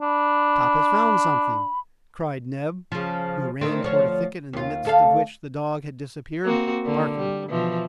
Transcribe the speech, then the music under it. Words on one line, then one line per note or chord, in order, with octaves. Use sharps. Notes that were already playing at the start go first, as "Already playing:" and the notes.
"Top has found something!" cried Neb, who ran towards a thicket, in the midst of which the dog had disappeared, barking.
D4 B5
C#3 F3
D#3 A3 C4
D2 F3 C#5
D#2 F4
D2 A4 F5
A#3 C4 F#4
D3 A#3
G3
B2 E3 F3